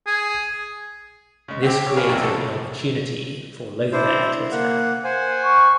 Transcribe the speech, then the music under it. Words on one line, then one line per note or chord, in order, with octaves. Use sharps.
This created an opportunity for Lothair to attack.
G#4
C#3 G#3
D3 C4 G4
G4 C#5
A#4 B4 C#5 F5 G#5
C2 F2 G#2 C3
D3 C#4 A4 C5 C#5
D4 E4 C5
A#3 F#5
C5 F#5 G#5
C#6